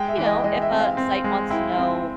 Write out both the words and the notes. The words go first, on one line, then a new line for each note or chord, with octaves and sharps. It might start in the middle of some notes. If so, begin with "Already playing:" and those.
you know, if a site wants to know,
Already playing: G#3 G5
E5
E3
D#5
G#3 D#5
E5
C4
F5
C4
G#3
E4 G5
C4